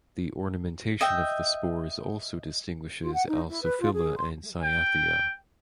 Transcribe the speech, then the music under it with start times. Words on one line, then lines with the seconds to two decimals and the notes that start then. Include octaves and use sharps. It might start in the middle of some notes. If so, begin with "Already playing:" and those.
The ornamentation of the spores also distinguishes "Alsophila" and "Cyathea".
1.01 D#5 E5 G5
3.01 F4
3.14 F#5
3.28 D#4
3.48 E4
3.63 B4
3.80 F4
3.94 G#4
4.17 C6
4.63 G5